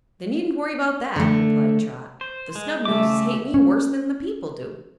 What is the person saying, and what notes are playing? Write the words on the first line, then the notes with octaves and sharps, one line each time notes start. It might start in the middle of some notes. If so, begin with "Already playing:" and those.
"They needn't worry 'bout that," replied Trot; "the Snubnoses hate me worse than the people do."
D3 A3
C5
G#3
C#3 A3 E5 D6
C#4